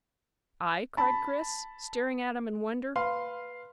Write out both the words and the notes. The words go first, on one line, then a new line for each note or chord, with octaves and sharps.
"I?" cried Chris, staring at him in wonder.
A5 B5
B4 F5 C6